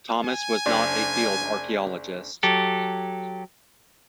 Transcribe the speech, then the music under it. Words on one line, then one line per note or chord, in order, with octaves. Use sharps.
Thomas was not a field archaeologist.
G#5
F#1 D4 D5
F#3 G4 A4